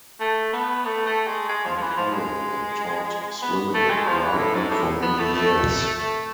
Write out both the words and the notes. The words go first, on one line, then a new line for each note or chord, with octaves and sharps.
Maculley and taught swimming at Brighton for many years.
A3
B3
A3
A3
G#3
G#3
F3
F3
E3
F3
G#3
B3
A3
G#3
F3
E3
A2
G#2
A2
B3
A3
A3
A3